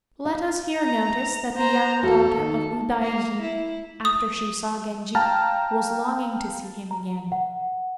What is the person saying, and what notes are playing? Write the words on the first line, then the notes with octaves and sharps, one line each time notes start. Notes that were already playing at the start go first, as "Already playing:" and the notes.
Let us here notice that the young daughter of Udaijin, after she saw Genji, was longing to see him again.
F5
A#5
C5 A#5
E2 F#4 A4 F5
D#3
A#3
E4
D#6
F5 G5 A5 A#5 F6
A#5
F#5